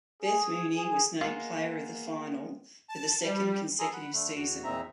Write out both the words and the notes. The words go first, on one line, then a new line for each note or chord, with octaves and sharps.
Beth Mooney was named Player of the Final for the second consecutive season.
G#4
G#4
G#3 A#3 B3 F4
A5
G3
G#4 A4 G#5 A#5 C6 D#6
F#5 B5
D3 A3
E2 F#4
E2 A#2 C4 D#4 E5 A#5